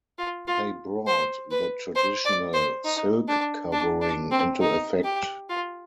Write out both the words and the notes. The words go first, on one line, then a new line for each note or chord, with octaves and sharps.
They brought the traditional silk covering into effect.
F4
F4
C5
B4
C5
D5
C5
D#4
D4
D4
D4
C4
D#4
G4
F4